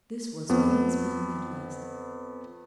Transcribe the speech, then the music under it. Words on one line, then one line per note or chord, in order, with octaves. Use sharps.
This was plain speaking at last.
F2 B3